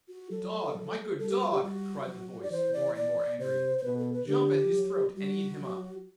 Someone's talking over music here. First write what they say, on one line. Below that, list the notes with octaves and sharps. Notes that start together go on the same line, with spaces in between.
'Dog, my good dog,' cried the voice, more and more angry, 'jump at his throat and eat him up.'
F#4
F#3 A4
F#3
G3 A4
G4
F#4
G4
G3 F#4
F#3
D5
E3 C5
D5
D5
C3 C5
C5
B2 B4
A4
B4
D3 G4
F#3
G3 F#4
F#3